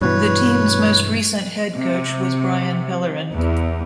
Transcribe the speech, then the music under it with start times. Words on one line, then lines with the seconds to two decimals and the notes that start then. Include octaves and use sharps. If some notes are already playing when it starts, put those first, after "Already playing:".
The team's most recent head coach was Brian Pellerin.
0.01 G2 B2 E3 B4 C#5
1.74 C3
3.34 E2